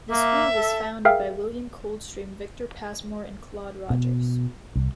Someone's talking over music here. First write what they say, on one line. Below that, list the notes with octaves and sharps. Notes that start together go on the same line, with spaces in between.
The School was founded by William Coldstream, Victor Pasmore and Claude Rogers.
A#3 E5
A4
G#4 A#4 E5 F5 G5 F6
B2
C2